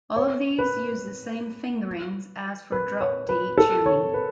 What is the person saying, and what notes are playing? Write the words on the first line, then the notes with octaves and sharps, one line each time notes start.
All of these use the same fingerings as for drop D tuning.
C#5
B4
B4
C#5
B4
A4
C#5
B4